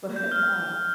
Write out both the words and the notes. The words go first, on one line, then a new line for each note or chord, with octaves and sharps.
But, uh,
G6
F6